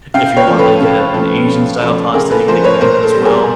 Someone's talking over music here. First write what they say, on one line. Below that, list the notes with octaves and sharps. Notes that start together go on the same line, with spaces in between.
if you want, like, a an Asian style pasta, you can they can have that as well,
C#3 F5 G5
B4 C#5
F3 A3
A4 B4
C#3 A4
F3 A3
C#3
F3 A3
C#3 G#4 A#4
A4 B4
F3 A3 A#4 C5
B4 C#5
A#2 A#4 C5
A4
G3
B3
G#4 A#4